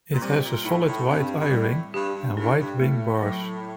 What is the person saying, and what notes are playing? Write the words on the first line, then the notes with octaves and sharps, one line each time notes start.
It has a solid white eye ring and white wing bars.
A#2
C3 G3
A#2
A2 D#4
A#2
A2
G2 C4
G2
A2 G3
G2 G4
G2
A2 D4
G2
A2 A3
F#3